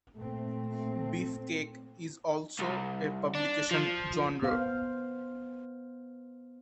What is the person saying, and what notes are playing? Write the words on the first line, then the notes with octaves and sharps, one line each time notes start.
Beefcake is also a publication genre.
A#2 A3 C4
C2
D4
F3
B3 C5 F5